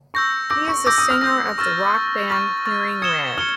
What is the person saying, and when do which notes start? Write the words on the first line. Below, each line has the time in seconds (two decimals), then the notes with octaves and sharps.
He is a singer of the rock band Hearing Red.
0.14 C#6 E6 G6 A#6
0.50 D6 E6 G6 A#6
0.68 C#6
0.86 D6 E6 G6 A#6
0.98 D#6
1.11 F6
1.21 D#6 E6 G6 A#6
1.58 C#6 E6 F6 A6
1.94 C#6 F6 A6
2.30 C#6 E6 F6 A6
2.66 C#6 F6 A6
3.02 D#6 G#6 C#7 E7 G7
3.38 F6 C#7 E7 G7